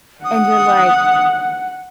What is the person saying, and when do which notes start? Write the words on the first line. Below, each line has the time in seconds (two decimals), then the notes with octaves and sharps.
and you're, like,
0.25 F#5 D#6